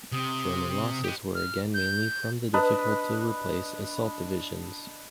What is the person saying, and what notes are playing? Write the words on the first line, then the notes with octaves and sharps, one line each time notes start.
German losses were again mainly from the difficult-to-replace assault divisions.
C3 D#6
G4 D#5
F6
G6
D4 B4 D#5